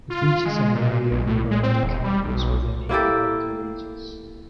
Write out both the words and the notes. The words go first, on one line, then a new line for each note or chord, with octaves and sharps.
It reaches an area around the campus within eight-km radius.
F4
G#3
A#2
B1
A2
G#3
C4
E1
G3
B1
A#3 E4 G4 A4